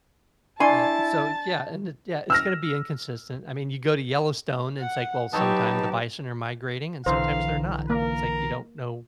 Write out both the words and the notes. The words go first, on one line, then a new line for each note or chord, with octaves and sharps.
Yeah, so yeah, and it yeah, it's gonna be inconsistent, I mean, you go to Yellowstone, and it's like, well, sometimes the bison are migrating, and sometimes they're not, it's like, you don't know,
D4 E4 G#5 A5 C6 C#6 A6
E6 F6 A#6
F#5
F#3 B3 C4 D#4 G4 B4 C#5 A5
B1 D3 E3 C5 F5 A#5
A#3 A#4